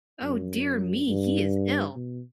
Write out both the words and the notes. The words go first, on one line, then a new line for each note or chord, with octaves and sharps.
Oh, dear me, he is ill!
F#2
G2
B2